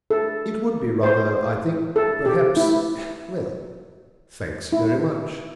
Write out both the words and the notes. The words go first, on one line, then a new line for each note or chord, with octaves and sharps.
"It would be rather--I think, perhaps--well, thanks very much."
A4
C5
A4
G4
E4
E4